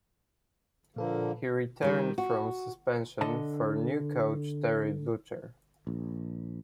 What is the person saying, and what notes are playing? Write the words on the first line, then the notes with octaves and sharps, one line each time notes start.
He returned from suspension for new coach Terry Butcher.
A#2 D3 F3 A#3 A4 B4
D#3 G3
F#4
D3 D#5 A5
A#1